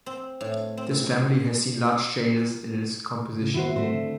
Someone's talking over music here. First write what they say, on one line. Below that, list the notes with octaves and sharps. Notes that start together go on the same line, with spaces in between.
This family has seen large changes in its composition.
C4
A2
C4
A2 C#3
D#3 A#3 B3 E4 F#4 C5
G#2 F3 A3 C4 C5
D3 D4